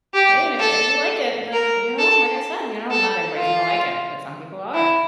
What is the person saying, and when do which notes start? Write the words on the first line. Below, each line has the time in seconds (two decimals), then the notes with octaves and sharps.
Hey, and if if you like it, like, you know, like I said, you know, not everybody's gonna like it, but some people are.
0.14 G4
0.60 A4
1.53 A#4
1.98 A4
2.91 A4
3.37 F4
4.74 E4